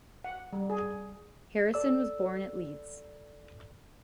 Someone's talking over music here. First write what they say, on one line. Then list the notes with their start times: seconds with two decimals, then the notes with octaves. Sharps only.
Harrison was born at Leeds.
0.24 F#5
0.53 G3
0.70 G#4
1.74 A4 D5 E6